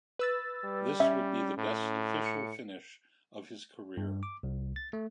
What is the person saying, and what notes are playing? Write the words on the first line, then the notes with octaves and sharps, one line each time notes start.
This would be the best official finish of his career.
B4 E6 A6
G3
C#4 E5
A2
C#7
G2
D6
C2
A6
A3